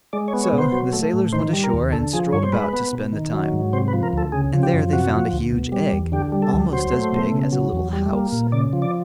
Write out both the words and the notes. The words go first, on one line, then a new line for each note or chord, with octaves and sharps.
So the sailors went ashore and strolled about to spend the time, and there they found a huge egg, almost as big as a little house.
G#3 D5
C#5
B3
C#5
B2
C5
F#3
A3
A2
D#3 C5
G3
A#4
D#2
D3 A4
F3 G#4
G2 C#5
C5
G#3 B4
B3
B2
D#3
F#3
G#2
C3 C5
B4
F3
A#4
D2 A4
C#3 G#4
F3
G4
F#2
C3 F#4
F3
D2
B2
G3
E2
D3 G4
G3
A4
D2
F#3 C5
A3
B2
C#3
F#3
E2
G3
A#3
A#2
C#3 D5
F3
D5